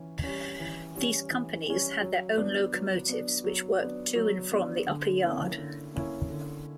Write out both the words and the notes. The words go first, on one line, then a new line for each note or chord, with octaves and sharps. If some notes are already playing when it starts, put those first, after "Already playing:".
These companies had their own locomotives which worked to and from the upper yard.
Already playing: E3 C#4
G3 C#4
E3
G3 C#4
E3
G3 C#4
F#3
B3 D4
F#3
B3 D4
F#3
B3 D4
F#3
B3 D4
D3
A#3 C#4 E4
D3
A#3 C#4 E4
D3